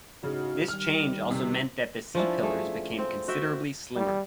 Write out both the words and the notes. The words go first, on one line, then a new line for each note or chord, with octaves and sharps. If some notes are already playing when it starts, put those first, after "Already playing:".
This change also meant that the C-pillars became considerably slimmer.
A2 C#3 D#4 F#4
D#3 G3 F6
C3
F3 C#4 D4 E4
A3 G#4
C4
F#4 E5 G5
G3